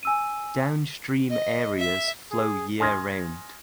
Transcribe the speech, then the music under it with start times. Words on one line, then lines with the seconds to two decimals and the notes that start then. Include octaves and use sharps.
Downstream areas flow year round.
0.03 G#5 E6 D#7
1.30 D#5
1.78 E5
2.31 G#4
2.80 G#5 C6 D#6 F6 G#6 A#6